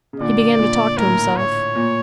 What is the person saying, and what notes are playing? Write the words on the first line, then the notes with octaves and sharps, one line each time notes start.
He began to talk to himself.
C#3
A#2 D3 D5
A#2
A2 A#4
C#5
A#2